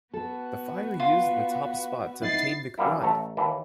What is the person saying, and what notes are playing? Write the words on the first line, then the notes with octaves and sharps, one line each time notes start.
The Fire used the top spot to obtain McBride.
B3 F#4 A4 B4
F4
D#4 E4 A6 C7
F#2 E3 G3 A#3 E4
A1 A3 A5 A#5
D#2 E3 A5